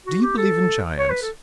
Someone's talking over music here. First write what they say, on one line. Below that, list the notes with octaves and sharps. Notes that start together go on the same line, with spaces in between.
Do you believe in giants?
F#4
G4
A4
C#5
B4
A4